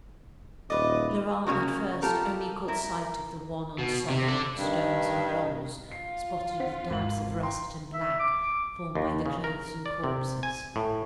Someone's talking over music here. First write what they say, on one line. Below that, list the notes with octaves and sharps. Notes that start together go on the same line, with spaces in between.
Laurent at first only caught sight of the wan ensemble of stones and walls, spotted with dabs of russet and black formed by the clothes and corpses.
D#1 B4 D5 D#5
C#3 A#3 C#4 F4 F#4
F4 G4 A4 A#4
E4 A#4
B2
C3
A4 D5
G2 D#3
F4 C7
C4 F#5 B6
G#1 F#7
G5 A#5 C6
E5
D6
D#2
C#3
A#4
D5
C3
G#5
A2